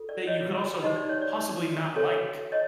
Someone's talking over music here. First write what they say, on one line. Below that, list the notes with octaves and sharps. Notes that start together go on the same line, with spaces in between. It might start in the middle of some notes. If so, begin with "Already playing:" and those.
That you could also possibly not like.
Already playing: F4 A4
D5
C#5 D#5
D#4 G4 C5 D#5
D5
C#5
D5
F#4 A4 C#5
C#5 D#5